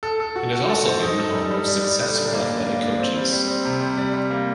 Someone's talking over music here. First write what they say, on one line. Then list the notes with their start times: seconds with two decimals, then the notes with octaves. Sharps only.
It has also been the home of successful athletic coaches.
0.03 A4
0.20 A4
0.36 F#4
0.53 F#4
0.69 A4
0.86 C5
1.02 D#4
1.18 A4
1.35 G3
1.51 G3
1.68 G3
1.84 G3
2.00 D3
2.17 D4
2.33 A#3
2.50 D4
2.67 A#3
2.82 D4
3.00 C4
3.16 G3
3.33 G3
3.48 C4
3.65 C3
3.81 G3
3.97 G3
4.14 G3
4.31 A#3